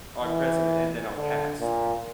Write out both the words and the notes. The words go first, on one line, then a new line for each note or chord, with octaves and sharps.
our present and then our past.
E3
D3
A#2